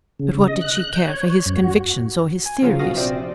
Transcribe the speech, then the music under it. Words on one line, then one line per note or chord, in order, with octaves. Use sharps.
But what did she care for his convictions or his theories?
C#3
C#3
D#5
F#6
F#6
G6
C#5
C#5
F#2
F#4
G#5
C#3 F3 F#3 F4
B2 F#4 F5 D#6 A#6
A#1 C3 C4 C5 D5